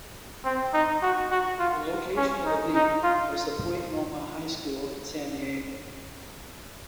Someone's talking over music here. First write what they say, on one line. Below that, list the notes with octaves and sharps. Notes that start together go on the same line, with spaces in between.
The location of the "leap" was the Point Loma High School in San Diego.
C4
D#4
F#4
F#4
F4
C#4
D#4
D#4
F4